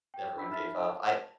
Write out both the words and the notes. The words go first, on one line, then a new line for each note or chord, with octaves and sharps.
everyone gave up. I
G5
D4 B5 E6 B6
D#4 E5 B5 F6 A6 B6
A5